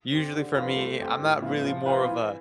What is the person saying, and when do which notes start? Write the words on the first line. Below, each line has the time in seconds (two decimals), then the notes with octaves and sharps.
usually for me, I'm not really more of a
0.11 C4 G4
0.33 D3
0.55 F3 C4 F4 B4
0.76 A3
0.98 C4 G4
1.20 A2
1.42 F3 B3 E4
1.64 F3
1.86 C4 F4 B4
2.07 E3